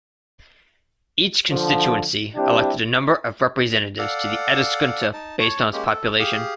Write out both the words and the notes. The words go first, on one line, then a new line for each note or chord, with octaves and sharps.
Each constituency elected a number of representatives to the Eduskunta based on its population.
D3 F3
G3 C4 D4 E4 G4
A4 D5 F5 F#5
D#4 A5
C#5 A5 C#6
G#3 A#3 C#4 G4
A4
G4 G#4 F5